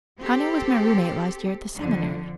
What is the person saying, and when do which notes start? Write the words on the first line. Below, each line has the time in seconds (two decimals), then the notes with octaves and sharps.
Connie was my roommate last year at the Seminary.
0.18 C4 G4 A4
1.77 F2 D3